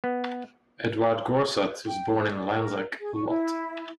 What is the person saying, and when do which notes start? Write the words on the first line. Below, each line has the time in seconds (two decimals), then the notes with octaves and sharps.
Edouard Goursat was born in Lanzac, Lot.
0.04 B3
1.87 G5
2.15 C5
2.31 D5
2.57 A#4
2.99 G#4
3.14 C#6
3.28 E4